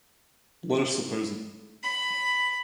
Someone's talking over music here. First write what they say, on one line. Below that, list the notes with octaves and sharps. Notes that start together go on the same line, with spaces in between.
Let us suppose it.
B5